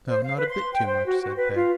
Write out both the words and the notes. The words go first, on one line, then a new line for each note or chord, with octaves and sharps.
'No, not a bit too much,' said Peg.
C5
F5
B4
C6
G5
C5
F#4
F#4
B4
F4